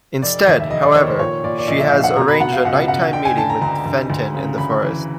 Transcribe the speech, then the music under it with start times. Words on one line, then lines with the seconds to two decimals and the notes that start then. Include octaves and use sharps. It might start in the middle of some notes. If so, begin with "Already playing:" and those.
Instead, however, she has arranged a nighttime meeting with Fenton in the forest.
0.22 F1 D5
0.47 D#2
0.60 E5
0.70 F1 D#5
0.83 D5
0.95 D#3 C#5
1.07 C5
1.19 A#2 C#5
1.44 A#2 D5
1.58 D5
1.68 A#1 D#5
1.80 E5
1.92 A#1 F5
2.04 F#5
2.16 B2 A#5
2.28 B5
2.40 B2 F#5
2.52 F5
2.65 C#2 F#5
2.88 C#2 F#5
3.13 D3 G5
3.25 G#5
3.38 D3 A5
3.50 A#5
3.61 D2 A#5
3.86 D2
4.10 D2
4.34 C#3
4.58 D2 B5
4.82 E3